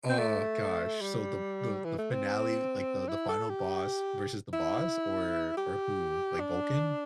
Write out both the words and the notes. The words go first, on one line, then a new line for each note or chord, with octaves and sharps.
Uh, gosh, so the the the finale like, the the final boss versus the boss or or who? Like, Vulcan?
C4
A3
G3
E3
A3
C4
E4
A4
G4
E4
G4
D4